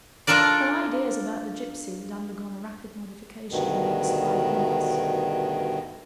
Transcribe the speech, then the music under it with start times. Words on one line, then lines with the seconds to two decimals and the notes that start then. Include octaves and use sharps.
Her ideas about the gypsies had undergone a rapid modification in the last five minutes.
0.27 D4 F4 A4 A#4 D5
3.51 D2 G2 B2 D#3